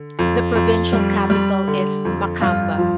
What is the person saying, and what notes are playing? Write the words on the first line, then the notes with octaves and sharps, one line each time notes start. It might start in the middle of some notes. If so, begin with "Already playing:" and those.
The provincial capital is Makamba.
Already playing: D3
F2
F2
G3
G3
D3
F2
G2 F4
F3